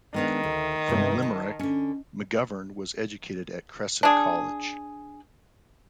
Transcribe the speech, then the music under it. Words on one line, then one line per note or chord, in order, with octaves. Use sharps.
From Limerick, McGovern was educated at Crescent College.
D#3 G#3 B3 D4
D2
G2 C3 B3
A5
D3 C#4
D4 G#4